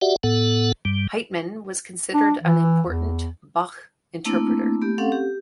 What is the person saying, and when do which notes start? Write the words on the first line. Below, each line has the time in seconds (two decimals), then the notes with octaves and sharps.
Heitmann was considered an important Bach interpreter.
0.01 F#4 G4 D5 E5 F#5
0.23 A2 B3 A4 F#5
0.85 G2 G3
2.14 D4
2.43 E3
2.86 E2
4.25 A3 A#3 C4 D4 E4
4.81 A3 B3 G4
4.98 C4 C#4 A4 F5 F#5
5.12 G4